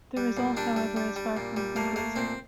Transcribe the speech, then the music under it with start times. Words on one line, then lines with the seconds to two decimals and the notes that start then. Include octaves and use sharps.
The result, however, is far from conclusive.
0.17 G3
0.37 A#2
0.57 G3 D4
0.76 G3
0.96 G3
1.16 G3
1.37 A#2
1.57 G3
1.76 A3 A#3
1.96 A3 A#3
2.16 A#2 C4